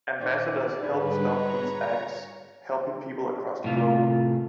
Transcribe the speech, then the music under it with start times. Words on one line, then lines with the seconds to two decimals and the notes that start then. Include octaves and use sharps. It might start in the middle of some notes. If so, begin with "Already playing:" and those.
Ambassadors help stop these acts, helping people across the globe.
0.20 A#2 D#3 C5 D5
0.83 G#2 D3 G3 D#4 G#4 B4
1.22 G#3 C#5 A#5
3.64 A2 C3 F4